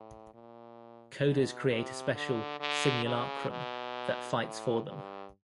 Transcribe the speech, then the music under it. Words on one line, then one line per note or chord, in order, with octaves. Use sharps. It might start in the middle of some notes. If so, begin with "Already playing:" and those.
Coders create a special "simulacrum" that fights for them.
Already playing: A2
A#2
B2
C3
D3
D3
C#3
B2
A2
G2